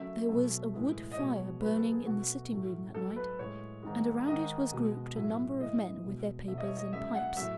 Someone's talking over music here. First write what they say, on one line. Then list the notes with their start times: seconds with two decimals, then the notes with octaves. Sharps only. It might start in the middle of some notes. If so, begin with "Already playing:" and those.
There was a wood-fire burning in the sitting-room that night, and around it was grouped a number of men with their papers and pipes.
Already playing: F#2 C#3 F#3 A3 E5
0.29 B2 F#3 A3
0.74 A2 E3 G#3
1.12 D#5
1.17 B2 G#3 C#5
1.61 G#2 F#3 A3 B4
1.77 A4
1.92 G#4
2.06 B2 A3 F#4
2.50 A2 F#3 A3
2.94 G#2 F#3 A3 A4
3.16 B4
3.39 A2 G#3 C#5
3.83 G#2 D#3 G#3
4.27 G#2 D#3 G#3 D#5
4.72 B2 G#3
5.15 A2 F#3 A3 E5
5.59 A2 E3 G#3 D#5
6.04 B2 G#3
6.48 E2 B2 A3 E5
6.58 D#5
6.63 C#5
6.77 D#5
6.92 F#2 C#3 G#3 E5
7.15 F#5
7.37 A2 F#3 A3 E5